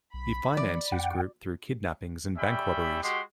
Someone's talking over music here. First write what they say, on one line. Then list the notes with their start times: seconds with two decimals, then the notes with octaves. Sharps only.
He financed his group through kidnappings and bank robberies.
0.14 B1 B5
0.57 E3 D5
0.92 F2 F#5 G5
2.37 G3 C#4 E5 G5 B5
3.02 G#3 F#4 G4 C6